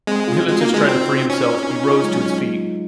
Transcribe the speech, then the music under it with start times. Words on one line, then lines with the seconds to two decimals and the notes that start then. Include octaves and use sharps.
The hypnotist tried to free himself; he rose to his feet.
0.07 G#3 C4
0.28 F4
0.48 G#3 F#4
0.61 A#3
0.69 G#3 D#4
0.89 C4 D#4
1.29 C#4
1.69 D#4
1.84 F4
1.90 D#4
2.04 G#3
2.10 F#3